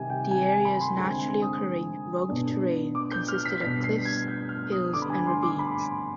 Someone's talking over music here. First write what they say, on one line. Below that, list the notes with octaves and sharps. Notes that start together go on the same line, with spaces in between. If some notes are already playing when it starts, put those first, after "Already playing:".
The area's naturally-occurring, rugged terrain consisted of cliffs, hills and ravines.
Already playing: C3 D#3 G3 G#5
G5
G#5
G#5
B5
C6
D3 G#3 C4 G#5
G#5
D#6
B2 B3 D4
D6
G6
F6
B6
B2 G3 D4 B6
C7
G#6
G6
F6
D#6
D3 G3 B3 D4 D6
B5
G#5
C6
D6
B5